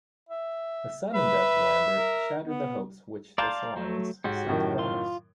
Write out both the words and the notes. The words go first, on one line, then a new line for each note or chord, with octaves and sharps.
The sudden death of Lambert shattered the hopes which this alliance seemed to promise.
E5
B4 E5
A#4
B3
D5 F5 A5 A#5 C6 G6
F#3 A3
G#2 F#4 G4 C#5
F#2 A2 D#3
F4 C6